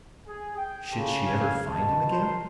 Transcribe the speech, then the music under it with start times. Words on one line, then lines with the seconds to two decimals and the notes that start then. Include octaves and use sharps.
Should she ever find him again?
0.27 G#4
0.57 G5
0.91 C#3 G4 A4 C5
1.25 F5 G#5
1.68 B2 A5
2.11 A#4 C5 C6